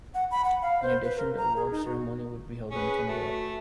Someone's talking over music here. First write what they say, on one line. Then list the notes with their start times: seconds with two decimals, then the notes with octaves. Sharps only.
In addition, the awards ceremony would be held in Canberra.
0.14 F#5
0.31 B5
0.44 F#5
0.62 F5
0.82 C5
1.04 B4
1.17 A#4
1.37 A#5
1.56 G#4
1.71 D#4
1.85 F#4
2.71 C#4 G#4 B4
3.08 A3 F#4